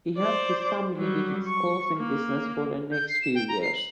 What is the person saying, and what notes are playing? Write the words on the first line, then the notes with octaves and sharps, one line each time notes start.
He helped his family with its clothing business for the next few years.
C5 D5
F#3 G3
C#6
A#3
G6
C7
E7
G5
A#5
C7
F#7